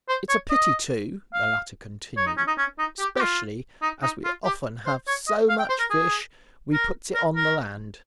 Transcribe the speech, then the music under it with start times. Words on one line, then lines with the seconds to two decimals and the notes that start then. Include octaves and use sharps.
"It's a pity too," the latter continued, "specially as we often have so much fish we puts it on the land."
0.09 C5
0.29 C#5
0.50 D#5
1.33 F5
2.17 C#5
2.26 D#4
2.37 C#4
2.48 D#4
2.58 C#4
2.79 D#4
2.99 G4
3.16 G4
3.20 F4
3.82 D#4
4.03 D#4
4.24 F4
4.45 G4
4.86 C5
5.07 C#5
5.28 D#5
5.49 F5
5.59 G5
5.69 C5
5.79 A#4
5.90 G#4
6.73 A#4
7.15 A#4
7.35 A#4